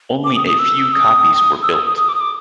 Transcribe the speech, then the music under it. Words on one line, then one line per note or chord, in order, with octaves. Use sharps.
Only a few copies were built.
D6
D#6
D#6
E6
D#6
E6
D#6
D#6
D#6
D6
D#6
D6